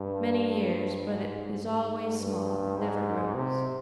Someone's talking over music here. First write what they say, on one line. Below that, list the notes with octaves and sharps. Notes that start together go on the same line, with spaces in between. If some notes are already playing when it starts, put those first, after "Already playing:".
"Many years; but it is always small; it never grows."
Already playing: G2
G#2
G#2
G2
G#2
C3